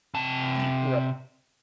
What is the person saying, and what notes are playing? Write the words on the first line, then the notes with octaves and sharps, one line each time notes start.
Ye right.
C3 A5